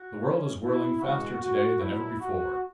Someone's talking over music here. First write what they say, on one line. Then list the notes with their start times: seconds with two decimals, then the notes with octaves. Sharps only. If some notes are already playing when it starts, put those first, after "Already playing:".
The world is whirling faster to-day than ever before.
Already playing: F#4
0.24 E3 G#3 C#4
0.63 E4
1.01 E3 G#3 D4 F#4
1.42 F#4
1.80 B2 F#3 B3 D4 E4
2.20 F#4